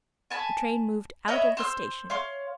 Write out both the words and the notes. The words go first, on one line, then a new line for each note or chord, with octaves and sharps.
The train moved out of the station.
G#5 A5 B5
C#5 D#5 E5 B5
C5 C6 E6
C#5 F5 C6